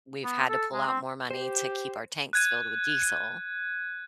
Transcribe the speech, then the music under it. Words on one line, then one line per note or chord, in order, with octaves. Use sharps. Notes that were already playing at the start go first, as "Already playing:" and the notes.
we've had to pull out more money to keep our tanks filled with diesel.
B3
A4
G#3
C4
G4 C5
F#6 G#6 D#7